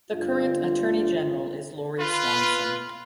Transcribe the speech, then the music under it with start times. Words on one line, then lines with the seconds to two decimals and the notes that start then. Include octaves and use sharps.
The current Attorney General is Lori Swanson.
0.11 G1 D4 F4
2.00 F4 B4